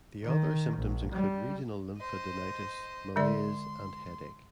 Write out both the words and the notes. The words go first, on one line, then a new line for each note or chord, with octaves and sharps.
The other symptoms include regional lymphadenitis, malaise, and headache.
D#3
A#1
G3
C5 D#5
D3 G#3 D5 C6